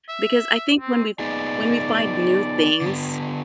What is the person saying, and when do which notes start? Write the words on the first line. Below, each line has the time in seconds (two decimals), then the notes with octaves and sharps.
because I think when we f when we find new things
0.09 E5
0.80 C4
1.19 B3 D#4 G#4 D5
2.81 D3 B3